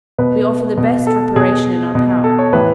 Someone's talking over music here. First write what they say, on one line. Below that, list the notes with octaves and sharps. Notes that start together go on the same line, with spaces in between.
We offer the best reparation in our power.
B2 B4
B2
A4
B2 G#4
B2
A4
C#5
A2 E3 B4